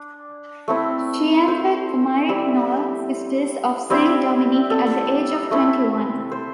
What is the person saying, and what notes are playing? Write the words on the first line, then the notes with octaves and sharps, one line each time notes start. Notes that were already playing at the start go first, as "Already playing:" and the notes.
She entered the Maryknoll Sisters of Saint Dominic at the age of twenty-one.
Already playing: D4
A3 C4 E4
C5
G3 C4 E4
G3 C4 E4
A4
A3 C4 E4
C5